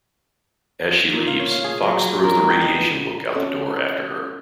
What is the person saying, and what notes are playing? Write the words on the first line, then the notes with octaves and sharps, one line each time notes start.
As she leaves, Fox throws the Radiation book out the door after her.
A#2
F5
C#5
F5
G#4
F#3
F#3
A#4
G#3
G5
D#5
B3
B3 C#4 A4